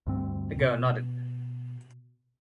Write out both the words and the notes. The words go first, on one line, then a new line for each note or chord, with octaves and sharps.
The girl nodded.
D2 G2 C4
B2